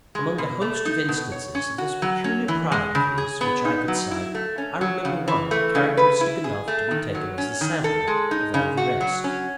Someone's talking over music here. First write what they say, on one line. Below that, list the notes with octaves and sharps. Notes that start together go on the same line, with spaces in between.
Among a host of instances of this peculiar pride of his which I could cite, I remember one, characteristic enough to be taken as a sample of all the rest.
G#3
B2
A3
D#4
B2
C#5
C#4
F#4
F#3
C#4
E3
G#3
C#3
G#4
B3
D#4
F#3
E4
A3
C#4
F#3
C#3
E3
A3
C#3
B4
E4
G#4
A3
D#3
F#3
C#4
D#3
A4
G#3
D#4
C#3
F#4
F#3
C#4